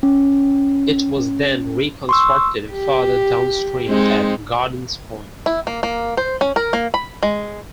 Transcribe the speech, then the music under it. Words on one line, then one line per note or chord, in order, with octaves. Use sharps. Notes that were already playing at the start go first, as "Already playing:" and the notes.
It was then reconstructed further downstream at Gardens Point.
C#4
C6 C#6 E6
G4
G#3 C4 D#4
E4
A#3
A#3
C5
C#4
A#4
A#3
B5
G#3